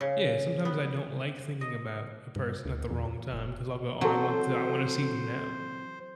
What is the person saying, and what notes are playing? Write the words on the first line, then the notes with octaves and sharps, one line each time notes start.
Yeah, sometimes I don't like thinking about a person at the wrong time, 'cause I'll go, "Oh, I want to I wanna see them now."
C#3
B3
D#5
G2
D2
E2
F#1
E3 F#3 C4 F#4 A4 C5